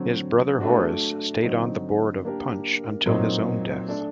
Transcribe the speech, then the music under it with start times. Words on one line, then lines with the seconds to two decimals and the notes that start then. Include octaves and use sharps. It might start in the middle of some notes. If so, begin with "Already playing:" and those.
His brother Horace stayed on the board of Punch until his own death.
Already playing: D3 F#3 C4
0.60 A3 D4 F#4
1.43 D3 F#3 C4 D#4
2.24 A#3 D4 G4 A#4
3.06 A#2 F#3 C4 D#4
3.88 A3 D4 A4 D5